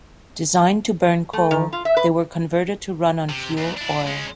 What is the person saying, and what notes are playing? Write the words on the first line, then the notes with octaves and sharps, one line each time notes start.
Designed to burn coal, they were converted to run on fuel oil.
A3
D#3
F4
E5
B4
C3
D#2
D4 E4
G#3 C#4